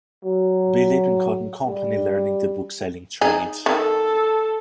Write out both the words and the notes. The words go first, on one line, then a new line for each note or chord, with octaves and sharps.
B. Lippincott and Company, learning the bookselling trade.
F#3
G3
D#4 G#4
D#3 A4